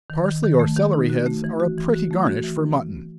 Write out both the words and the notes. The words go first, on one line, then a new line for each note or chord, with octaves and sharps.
Parsely or celery-heads are a pretty garnish for mutton.
D#3
D#3
D#3
A3
D#3
D#4
F#4
A3
E3
F#4
E3
F#4
A3
F#4
E3